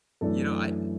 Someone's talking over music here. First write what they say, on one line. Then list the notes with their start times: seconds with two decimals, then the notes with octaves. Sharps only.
You know, I, uh
0.21 F#2 E3 A3 D4 A4